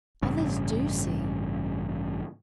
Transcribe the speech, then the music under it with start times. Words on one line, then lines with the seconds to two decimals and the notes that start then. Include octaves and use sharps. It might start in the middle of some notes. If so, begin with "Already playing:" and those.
Others do see!
0.22 A1 G2 C#3